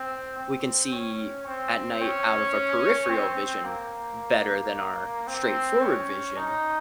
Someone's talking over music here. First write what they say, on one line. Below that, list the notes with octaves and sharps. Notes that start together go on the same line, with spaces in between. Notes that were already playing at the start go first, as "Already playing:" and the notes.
we can see at night out of our peripheral vision better than our straightforward vision,
Already playing: C4
C4
C#4
C4
C#4
C4
A#3
C4
C#4
D#4